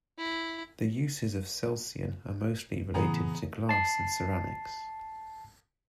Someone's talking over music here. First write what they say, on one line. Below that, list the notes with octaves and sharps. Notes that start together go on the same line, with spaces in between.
The uses of celsian are mostly related to glass and ceramics.
E4
A2 C#3 E3 B3 G#4 A#5
A5 C7